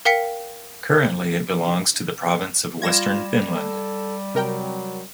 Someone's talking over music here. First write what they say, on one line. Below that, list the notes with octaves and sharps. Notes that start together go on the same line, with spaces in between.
Currently it belongs to the province of Western Finland.
A#4 F5 G5 B6 C#7
G3 F4 G#6 A#6 E7
A4
C3 F#3 A#4 G5